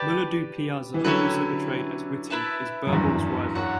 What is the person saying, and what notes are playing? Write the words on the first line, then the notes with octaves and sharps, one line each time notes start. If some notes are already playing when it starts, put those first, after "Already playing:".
Mulla Do-Piyaza, also portrayed as witty, is Birbal's rival.
Already playing: G4 B4 D5 A5
E3
D3 F#3 C#4 E4 G4 B4
E4 B4 E5 A5
F#2
E2 G2
F#4 C#5 F#5